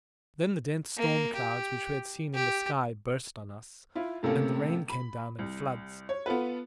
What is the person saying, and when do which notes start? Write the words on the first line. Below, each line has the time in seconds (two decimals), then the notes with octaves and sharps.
Then the dense storm clouds which we had seen in the sky burst on us, and the rain came down in floods.
0.97 A#3
1.35 G4
2.35 G4
3.95 E4 F4
4.23 A2 C3 A3 A#3 C#4 A4
4.90 B5
5.39 C2
6.09 C#5
6.26 B3 F4 A4 B4